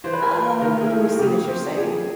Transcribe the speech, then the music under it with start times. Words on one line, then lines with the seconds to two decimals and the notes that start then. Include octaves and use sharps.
Oh, I see what you're saying.
0.04 E3 C5
0.13 B4
0.22 A#4
0.31 F4 B4
0.61 D#3 A#4
0.81 G#4
0.90 E4
1.00 G#4
1.14 F#4
1.19 C#3 G4
1.48 C4
1.77 F3 G#4